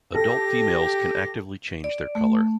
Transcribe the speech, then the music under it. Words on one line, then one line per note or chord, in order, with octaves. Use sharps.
Adult females can actively change their color.
G4 A4 A#6
D5
A3